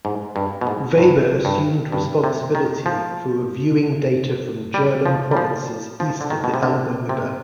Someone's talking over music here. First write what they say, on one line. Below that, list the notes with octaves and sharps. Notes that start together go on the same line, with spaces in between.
Weber assumed responsibility for reviewing data from German provinces east of the Elbe River.
G#2
G2
B2
G#2
G2
G2
G2
C3
D#3
F3
G3
F3
G3
F3
F3
D3
D#3
B2
C3
D3
C3